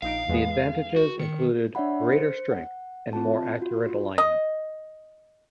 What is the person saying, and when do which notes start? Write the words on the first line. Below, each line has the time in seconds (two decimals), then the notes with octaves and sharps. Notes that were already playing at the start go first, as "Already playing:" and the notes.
The advantages included greater strength and more accurate alignment.
0.02 A#1 D#4 F5 D7
0.29 E2 G#3 B3
0.96 F#4
1.19 D#3 C#7
1.75 D4 C#5 D5 E5 F#5 B5
2.11 C5 C#7
2.51 F#5
3.13 C4 F4 A5
3.61 F4 F#4
4.18 D#5